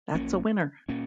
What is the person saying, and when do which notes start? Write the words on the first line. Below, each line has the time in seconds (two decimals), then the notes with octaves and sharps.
That's a winner!
0.14 A#1 A#2 A#3 C#4
0.89 A#2 A#3 C#4